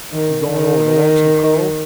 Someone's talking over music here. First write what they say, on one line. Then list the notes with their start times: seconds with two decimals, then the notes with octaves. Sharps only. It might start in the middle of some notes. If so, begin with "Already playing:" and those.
"You goin' over to Lonesome Cove?"
0.12 D#3
0.51 D#3